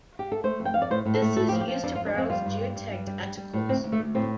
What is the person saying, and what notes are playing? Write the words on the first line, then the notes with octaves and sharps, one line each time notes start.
This is used to browse geotagged articles.
G4
A4
A3 C5
F2
G5
F2 F5
D5
A2 C5
A2
A4
A3
A2 A4
G4
F3
G4
F3 C4
F2 D4
F4
F2
D4
F2 C4
G3 F4
G2
G3
G2
G2
G3
G3
G3
A2
D2 C4
D2
A3
D2
A2 C4